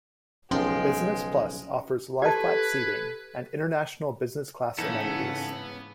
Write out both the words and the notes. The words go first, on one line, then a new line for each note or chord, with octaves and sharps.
Business Plus offers lie-flat seating and international business class amenities.
B1 F3 G#3 C#4 G5 C6
G4 A4 B4 A5 G#6
G#2 C#3 E3 B3 C#4 D#4 A4